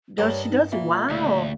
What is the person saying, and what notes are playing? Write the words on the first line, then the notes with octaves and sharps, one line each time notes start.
Does she doesn't? Wow.
G2 G3 D4 A#4 C#5 D#5 A5
D#4
A#2 E3 F4
D2 C#3 D5